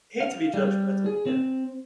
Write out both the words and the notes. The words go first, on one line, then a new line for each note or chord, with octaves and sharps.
Hate to be judgmental yeah.
F5
G3
G#4
C4